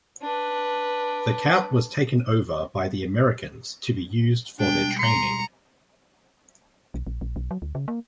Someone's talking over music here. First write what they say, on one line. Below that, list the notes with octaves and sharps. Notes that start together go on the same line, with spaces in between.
The camp was taken over by the Americans to be used for their training.
D4 B4
B2 G3 G#3 D4 G5
A#5 C6 C#7
B1
A#1
A#1
B1
F#3
D2
C#3
A#3